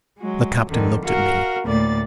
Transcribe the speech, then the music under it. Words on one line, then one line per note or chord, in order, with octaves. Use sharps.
The captain looked at me.
F#3 G#3
F2 D3 D#3
F#4 A#4 F5
D2 A2 A#3 D5 A6